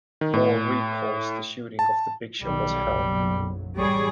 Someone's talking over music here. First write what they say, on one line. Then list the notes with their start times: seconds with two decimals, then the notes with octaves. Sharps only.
More recalls the shooting of the picture was hell.
0.21 D#3
0.34 A2
1.79 A5
2.42 B1 D#3 G3
2.84 F#1 B1 F#3
3.78 A1 G3 G#4 C#5